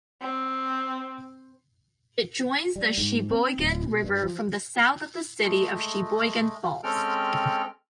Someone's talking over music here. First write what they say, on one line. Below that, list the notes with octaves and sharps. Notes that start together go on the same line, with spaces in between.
It joins the Sheboygan River from the south in the city of Sheboygan Falls.
C4
G3
G#2
C4
D1
B2
G2
F3
G#3 A3
G#3 C4 C#4 A4 G5 F6